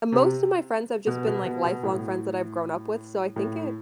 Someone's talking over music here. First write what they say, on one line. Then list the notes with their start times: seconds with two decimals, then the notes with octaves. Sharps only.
uh, most of my friends have just been, like, lifelong friends that I've grown up with, so I think it
0.12 C3
1.07 B2
1.26 B2
1.45 B2
1.64 B2
1.83 A2
3.36 A2